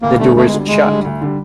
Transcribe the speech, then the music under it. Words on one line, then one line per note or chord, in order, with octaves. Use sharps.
The door's shut.
D2 A#3
D3 G3 A3
D2 A3
G#3
D3 G3
D2 G#3
D3 G3
D2
D3 G3